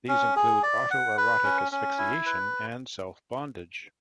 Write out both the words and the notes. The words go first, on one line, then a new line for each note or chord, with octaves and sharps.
These include autoerotic asphyxiation and self-bondage.
C#4
G#4
D5
F#5
B4
C#4
C#4
E4
B4